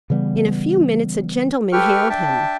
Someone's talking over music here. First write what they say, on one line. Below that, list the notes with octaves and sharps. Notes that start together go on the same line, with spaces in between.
In a few minutes a gentleman hailed him.
C#3 E3 G3 B3
G4 A4 B4 G5 C#6 F6
D4 E5 G5 A5